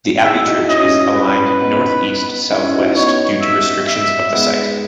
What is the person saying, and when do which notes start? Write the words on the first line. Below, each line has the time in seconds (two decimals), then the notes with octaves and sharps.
The abbey church is aligned northeast-southwest, due to restrictions of the site.
0.23 E4 G#4 E5
0.46 D#4 F#4
0.69 C#4 E4 D#5
1.14 B4
1.60 B3 D#4
2.51 C#4 E4
2.73 D#4 F#4
2.96 B3 D#4 C#5
3.41 E5
3.88 E5
4.33 G#3 B3